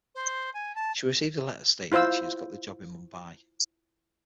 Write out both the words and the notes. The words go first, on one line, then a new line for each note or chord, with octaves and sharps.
She receives a letter stating that she has got the job in Mumbai.
C5
G#5
A5
E4 F4 C5 F5 E6